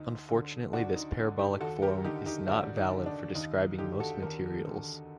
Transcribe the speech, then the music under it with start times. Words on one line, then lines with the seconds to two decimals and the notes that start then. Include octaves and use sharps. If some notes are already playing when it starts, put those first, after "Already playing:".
Unfortunately, this parabolic form is not valid for describing most materials.
Already playing: D2 D#4
0.30 D3
0.73 D2 D4 F#4
0.96 D#4
1.17 D3
1.39 D#4 G4
1.61 D#2 F#4 A4
1.82 G4 A#4
2.04 D3 D#4 G4
2.26 D#4 G4
2.48 D#2 D4 F#4
2.77 D#4
2.91 D3
3.06 D4
3.35 D#2 D#4
3.78 D3 D#4 G4
4.00 F#4 A4
4.22 D#2 G4 A#4
4.66 D3